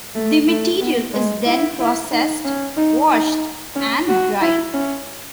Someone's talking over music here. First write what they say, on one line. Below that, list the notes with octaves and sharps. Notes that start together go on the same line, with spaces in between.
The material is then processed, washed and dried.
A3
A3
B3
G#3
E4
E4
D#4
C#4
D#4
D#4
C#4
F#4
E4
C#4